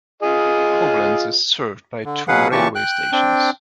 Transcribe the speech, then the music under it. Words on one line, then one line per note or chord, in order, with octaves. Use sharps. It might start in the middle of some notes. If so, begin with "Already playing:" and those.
Koblenz is served by two railway stations.
F4 G#4 D#5
D3
B2 F#3 G#4 B4 F5 F#5
A#2 C#3 E3 G4 A5 C#6
G5 F#6
C4 D4 G5